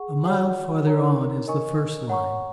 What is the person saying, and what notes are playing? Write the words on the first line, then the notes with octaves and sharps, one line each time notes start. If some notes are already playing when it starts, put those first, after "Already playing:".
A mile farther on is the first line.
Already playing: G#4 F#5 C#6
F#4 C#5 F#5
D#4 A#4 C#5 A#5
A#4 D#5 G#5 C#6
C#5 F#5 A#5 C#6